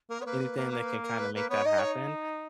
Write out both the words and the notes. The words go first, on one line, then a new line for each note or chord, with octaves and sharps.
anything that can kinda make that happen.
A#3 A#4
B3 C#5
A#3 B4
A#3
A#3
A#3
A#4
B4
A#3 B4
B3 C#5
D#4 D#5
C#5